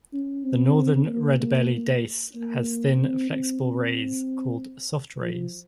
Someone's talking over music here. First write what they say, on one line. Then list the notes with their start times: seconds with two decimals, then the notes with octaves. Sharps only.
The Northern Redbelly Dace has thin, flexible rays called "soft-rays".
0.13 C#4
0.44 C4
1.08 A#3
1.40 A#3
2.35 A#3
2.98 C4
3.31 C4
3.63 C4
5.21 F3